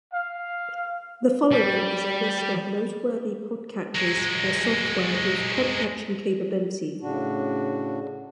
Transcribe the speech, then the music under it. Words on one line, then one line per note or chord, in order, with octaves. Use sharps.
The following is a list of noteworthy podcatchers or software with podcatching capability.
F5
G3
F#3 G#3
A2 C#3 D4 F#4